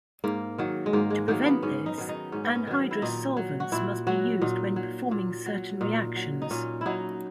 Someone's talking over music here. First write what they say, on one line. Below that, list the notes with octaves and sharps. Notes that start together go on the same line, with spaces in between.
To prevent this, anhydrous solvents must be used when performing certain reactions.
G#2 A#3
D#3 F#3
G#3
G#2 A#3
G#3
D#3 F#3 A#3
B3
G#2 C#4
D#4
D#3 F#3
D#4
G#2 C#4
B3
C#4
D#3 F#3
E4
A#2 D#4
F#3
F#4
A#2 E4
F#3 F#4
A#2 D#4
F#3
A#2
F#3
A#2 D#4
F#3
D#4
A#2 C#4
F#3 D#4 E4